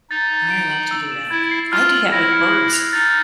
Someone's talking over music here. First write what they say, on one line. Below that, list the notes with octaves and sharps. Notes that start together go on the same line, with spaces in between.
I love to do that. I do that with birds.
D#4 A6
A6
D7
F#7
E6
E7
E4 G#6
C7
F4 F6
F#7
E4 A#6
C#7
F#6
F7
D#4 A6